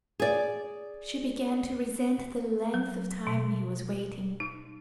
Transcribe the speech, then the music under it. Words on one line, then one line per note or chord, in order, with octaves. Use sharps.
She began to resent the length of time he was waiting.
G#4 D5
F#3
B2
D#4